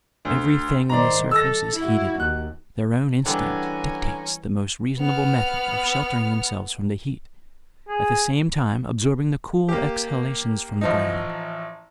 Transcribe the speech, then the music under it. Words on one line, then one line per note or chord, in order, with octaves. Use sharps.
Everything on the surface is heated; their own instinct dictates the most reasonable method of sheltering themselves from the heat, at the same time absorbing the cool exhalations from the ground.
D2
D#3 C5 D5 A#5
A4 E6 A#6
E4 F#4
D#2 F#6
D3 E3 G3 B3 C#4 G#4 G#5 A#5
B3 F6
G#4
A#3 G4
A1 F3 D#4